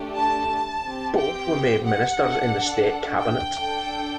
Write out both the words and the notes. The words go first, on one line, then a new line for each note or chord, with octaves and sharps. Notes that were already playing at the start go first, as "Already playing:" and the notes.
Both were made ministers in the state cabinet.
Already playing: A3 D4 G4
A5
C4 G4
G5
F#5
D4 A4
G5
D4 A4